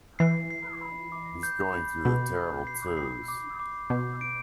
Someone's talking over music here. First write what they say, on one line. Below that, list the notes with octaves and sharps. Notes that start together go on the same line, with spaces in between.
He's going through the terrible two's!.
E3 C7
C7
B5
D6
G6
B5
B2 B5
G6
C7
C7
D6
D6
B2 G6
D7